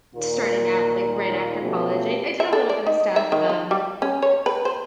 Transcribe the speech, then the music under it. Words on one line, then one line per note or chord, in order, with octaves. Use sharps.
starting out, like, right after college. I I did a little bit of stuff, um,
D#2 A#2 F4 A#4
B2 F3 A3 C#4 G4
E5
A4
D5
D#4
E5
D#3
F4
G3
C#4
C#5
B4
C5